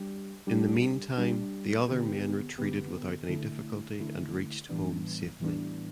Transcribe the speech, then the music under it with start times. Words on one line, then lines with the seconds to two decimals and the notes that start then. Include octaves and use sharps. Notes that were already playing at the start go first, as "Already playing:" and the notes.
In the meantime the other men retreated without any difficulty and reached home safely.
Already playing: G3 D4 G4
0.47 G3 D4 G4
1.17 G3 D4 G4
1.88 D3 B3 G4
2.58 D3 B3 G4
3.29 D3 A3 E4
3.99 D3 A3 E4
4.69 A2 E3 G3 B3 D4
5.40 A2 E3 G3 B3 D4